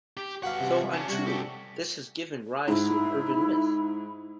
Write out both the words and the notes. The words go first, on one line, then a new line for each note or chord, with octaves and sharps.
Though untrue, this has given rise to an urban myth.
G4
G2 F#4 B4 F5 F#5
C3 E3
C#4 D4
C3 G3 F#4
G4 A4
G#2 E4